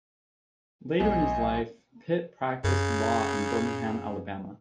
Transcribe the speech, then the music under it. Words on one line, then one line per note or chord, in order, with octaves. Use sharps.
Later in his life, Pitt practiced law in Birmingham, Alabama.
B1 D#5 G#5
F#2 C#3